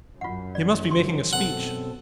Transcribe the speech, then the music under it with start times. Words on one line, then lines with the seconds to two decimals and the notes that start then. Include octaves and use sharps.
He must be making a speech.
0.21 F#2 F4 F#5
0.55 D5
0.91 G2 D3 C6
1.33 B2 C4 A4 F#5